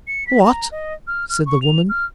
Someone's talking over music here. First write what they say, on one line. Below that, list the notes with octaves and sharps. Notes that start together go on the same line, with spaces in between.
"What?" said the woman.
C#7
B6
A#5
D#5
F6
F6
C#6
F7
F6